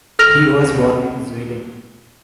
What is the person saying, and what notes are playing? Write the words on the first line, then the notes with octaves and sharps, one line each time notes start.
He was born in Zuilen.
A4 F6 A#6 F7